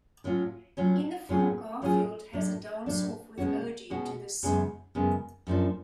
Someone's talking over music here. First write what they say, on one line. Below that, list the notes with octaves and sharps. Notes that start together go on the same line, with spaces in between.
In the film, Garfield has a dance off with Odie to this song.
A2 F#3 C#4 F4
A2 F#3 C#4 F4
A2 F#3 C#4 F4 G#4
A2 F#3 C#4 F4 G#4
A2 F#3 A3 D4
A2 F#3 A3 D4
B2 G#3 C#4 F#4
B2 G#3 C#4 F#4
F#2 C#3 G#3 B3
F#2 C#3 G#3 B3
F#2 F3 A3 D4